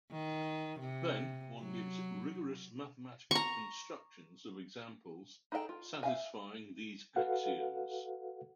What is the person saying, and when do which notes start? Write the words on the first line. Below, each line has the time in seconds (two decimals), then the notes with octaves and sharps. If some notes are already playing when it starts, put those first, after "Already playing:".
Then, one gives rigorous mathematical constructions of examples satisfying these axioms.
0.11 D#3
0.80 C3
1.60 F#3
3.31 A#5 C#6
5.52 D#4 G#4 A4 E5 G5
5.69 F4
6.03 E5 F5 G#5
7.16 F#4 A4 B4 F5 F#5